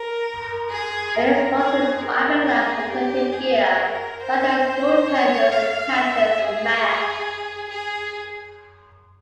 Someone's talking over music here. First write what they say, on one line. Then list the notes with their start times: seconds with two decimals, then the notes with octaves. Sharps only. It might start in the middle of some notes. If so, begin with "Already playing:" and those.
Many sports use fiberglass protective gear, such as goaltenders' and catchers' masks.
Already playing: A#4
0.70 G#4
1.14 A#4
1.59 G#4
2.02 A#4
2.46 G#4
2.89 G4
3.32 G#4
3.77 A#4
4.20 C5
5.08 C#5
5.51 F5
5.94 E5
6.38 G#4
7.70 G#4